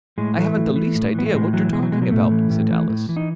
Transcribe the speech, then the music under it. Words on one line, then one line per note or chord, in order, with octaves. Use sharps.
'I haven't the least idea what you're talking about,' said Alice.
A2 G#3
E3 A3
A2
E3
A2
E3 B3
A3
A2 G#3
E3 F#3
B2 G#3
F#3
B2 G#3
F#3
A2 A3
E3
A2
E3
A2
E3
D#4